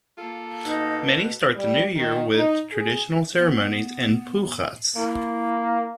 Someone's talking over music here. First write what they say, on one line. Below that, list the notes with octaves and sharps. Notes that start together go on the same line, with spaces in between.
Many start the New Year with traditional ceremonies and pujas.
A#3 F4 A4
B2 D#4
B4
G3
D#3
D#4
G#4
B3
A#3 E4